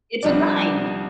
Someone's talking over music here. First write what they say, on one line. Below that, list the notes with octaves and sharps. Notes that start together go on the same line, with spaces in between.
It's a grind.
C2 F3 G3 D4 D5